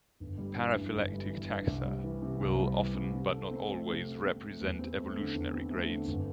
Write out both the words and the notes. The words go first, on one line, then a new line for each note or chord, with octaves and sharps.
Paraphyletic taxa will often, but not always, represent evolutionary grades.
G1
G3
E3
G2
G1
G3
E3
G2
C2
G3
E3
C3
C2
G3
E3
C3
C3
A4
C4
A3
C3
A4
C4
A3
E2
C4
A3
D3
E2
C4
A3
D3
G1